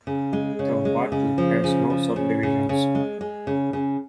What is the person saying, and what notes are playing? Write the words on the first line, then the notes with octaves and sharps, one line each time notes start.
The vatu has no subdivisions.
C#3
G#3
C#3
G#3
C#3
F3
C#3
F3
C#3
C#3
C#3
G#3
G#3
C#3
C#3